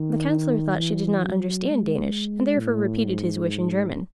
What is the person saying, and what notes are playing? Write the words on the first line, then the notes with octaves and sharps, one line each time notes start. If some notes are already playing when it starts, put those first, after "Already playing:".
The Councillor thought she did not understand Danish, and therefore repeated his wish in German.
Already playing: D#3
E3
F#3
G#3
A2
G#2